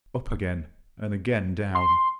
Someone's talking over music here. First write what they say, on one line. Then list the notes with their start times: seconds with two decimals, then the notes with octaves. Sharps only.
Up again, and again down.
1.75 C6